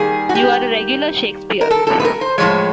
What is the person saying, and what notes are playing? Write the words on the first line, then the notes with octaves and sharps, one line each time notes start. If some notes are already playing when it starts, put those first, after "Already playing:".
You're a regular Shakespeare!
Already playing: D#3 G3 A#3 G#4
F#4
G4
A#4
A4
A4
B4
A#4
C5
A2 F3 G#3 C#5